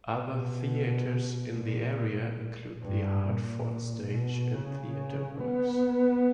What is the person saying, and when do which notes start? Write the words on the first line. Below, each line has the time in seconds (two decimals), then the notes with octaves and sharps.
Other theaters in the area include the Hartford Stage and TheatreWorks.
0.25 B2
1.53 A#2
2.82 G2
3.25 A#2
4.11 B2
4.54 C#3
5.40 B3